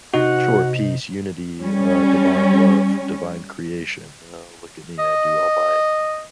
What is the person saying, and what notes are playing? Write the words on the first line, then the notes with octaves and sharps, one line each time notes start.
Sure, peace, unity, uh, divine love, divine creation. "Oh, look at me, I do all my
C3 D#4 F#4 F#5
G3 C#4
D#5